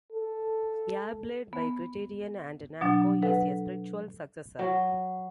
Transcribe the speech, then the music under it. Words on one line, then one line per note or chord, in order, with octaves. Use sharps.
Airblade by Criterion and Namco is a spiritual successor.
A4
B3
B2 F#3 D4
A4 B4 F#5
F#3